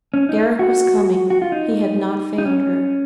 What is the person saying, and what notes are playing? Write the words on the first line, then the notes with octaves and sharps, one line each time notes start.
Deryck was coming. He had not failed her.
C#4
D#4
F#4
F#4
F4
D#4
D#4
C#4